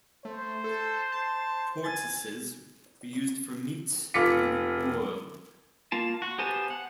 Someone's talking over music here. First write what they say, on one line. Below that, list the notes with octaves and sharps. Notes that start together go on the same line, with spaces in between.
Tortoises were used for meat and oil.
A3 C5
A4
A5
G#5 A6
F1 F4 D6 B6 C#7
A#3 F4 A5
F#4
B3 G4 C5 G#5 A5
F#5